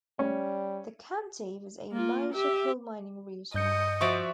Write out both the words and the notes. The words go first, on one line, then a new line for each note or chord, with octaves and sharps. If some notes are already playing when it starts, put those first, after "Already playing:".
The county was a major coal-mining region.
G3 C#4
A#3 F4
G4 E5
G2 D#5 G6 C#7
F3 F#4 D5 E5 C#6